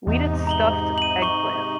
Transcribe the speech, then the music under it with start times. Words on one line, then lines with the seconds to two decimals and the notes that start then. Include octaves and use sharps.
We did stuffed eggplant.
0.07 E2 G#2 C3 D#4
0.47 A#5 F#7 G7
0.98 D#7 F#7
1.22 C#6 G7